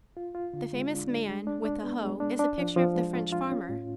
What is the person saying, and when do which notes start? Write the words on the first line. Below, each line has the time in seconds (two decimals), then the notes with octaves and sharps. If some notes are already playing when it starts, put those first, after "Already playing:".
The famous Man with the Hoe is a picture of the French farmer.
0.17 F4
0.35 F4
0.53 D3
0.73 G#3
0.91 D4
1.09 D4
1.29 G#3
1.47 D4
1.65 D4
1.83 B3
2.02 G#3
2.20 D4
2.39 D4
2.58 F3
2.76 F3
2.95 G#3
3.14 F4
3.33 F4
3.51 C#4
3.69 A2